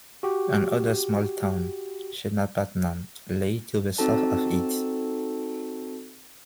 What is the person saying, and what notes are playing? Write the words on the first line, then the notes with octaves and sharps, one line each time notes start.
Another small town, "Chennapatnam", lay to the south of it.
F#4 G4
C4 D#4 F#4 A4 A5